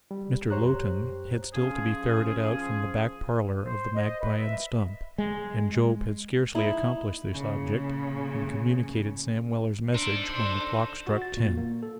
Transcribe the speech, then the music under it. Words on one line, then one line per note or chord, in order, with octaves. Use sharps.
Mr. Lowten had still to be ferreted out from the back parlour of the Magpie and Stump; and Job had scarcely accomplished this object, and communicated Sam Weller's message, when the clock struck ten.
G3
F#2 G4 C5 C#5 A#5 F#6
F3 C#4 G#4
C5
D#5
B4
E5
G#3
D#4 E4
A#2 C#3
D4 D#4 A4 C5
F#4
A6
A#2
A#3
A4